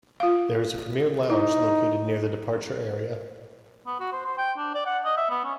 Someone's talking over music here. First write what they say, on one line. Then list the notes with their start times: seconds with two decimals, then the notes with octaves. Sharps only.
There is a premier lounge located near the departure area.
0.20 F4 F5
1.30 D#4 E4
3.86 B3
4.00 F#4
4.13 C5
4.25 C5
4.38 G5
4.58 D4
4.75 D5
4.86 F#5
5.05 D#5
5.17 E5
5.30 B3
5.44 C#4